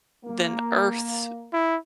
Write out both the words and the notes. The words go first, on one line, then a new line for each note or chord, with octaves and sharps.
than Earth,
A#3
E4